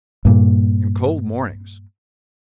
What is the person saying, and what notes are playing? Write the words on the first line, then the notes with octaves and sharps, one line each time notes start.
And cold mornings.
G2 A#2